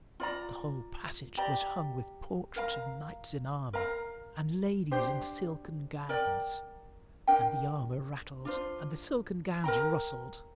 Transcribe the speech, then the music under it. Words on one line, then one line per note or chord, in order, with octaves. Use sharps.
The whole passage was hung with portraits of knights in armor, and ladies in silken gowns; and the armor rattled, and the silken gowns rustled!
F4 D5 A#5
G4 D5 A#5
A#4 F5 A#5
A#4 F5 A#5
D4 G4 C5
A#4 D5 G5
D4 A#4 G5
D4 F4 C5
A#4 G5 A#5